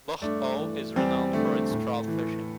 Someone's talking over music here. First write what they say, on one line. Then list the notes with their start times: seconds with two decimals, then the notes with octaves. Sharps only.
Loch Awe is renowned for its trout fishing.
0.21 G2 A3 D4
0.59 E3
0.96 E2 G3 C4
1.33 D3 A3
1.71 A2
2.08 E3